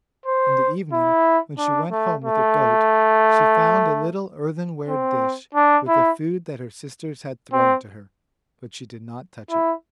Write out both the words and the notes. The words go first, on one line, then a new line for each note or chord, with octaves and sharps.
In the evening, when she went home with her goat, she found a little earthenware dish with the food that her sisters had thrown to her, but she did not touch it.
C5
E4
D4
A3
A3
C4
D4
E4
C4
E4